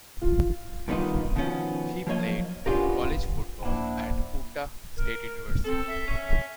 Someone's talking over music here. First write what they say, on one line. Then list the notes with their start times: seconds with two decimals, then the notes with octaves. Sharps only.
He played college football at Utah State University.
0.22 F4
0.88 G2 D#3 B3 C4 D#4 F4
1.36 B2 D#3 F3 B3 C#4
2.07 F3 F#3 A#3 C#5 D#5
2.66 B3 C#4 D4 F4 G4 A#4
3.62 G#1 F#2 F3 A#3 D4 E4 C5 F#5
4.96 A#4
5.65 C4 A4
5.87 E5
6.08 C#4